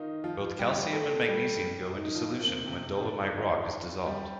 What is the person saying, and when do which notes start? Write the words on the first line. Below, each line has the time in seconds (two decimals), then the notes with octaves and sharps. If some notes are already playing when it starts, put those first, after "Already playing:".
Both calcium and magnesium go into solution when dolomite rock is dissolved.
Already playing: D#3 D#4 F4
0.24 F3 F4
0.59 G3 G4
0.93 A3 A4
1.28 G3 G4
1.98 D#3 D#4
2.15 F3 F4
2.33 C4
2.40 A#3
2.47 C3 C4
2.67 C3 C4
3.02 D3 D4
3.20 D#3 D#4
3.37 F3 F4
4.06 G3 G4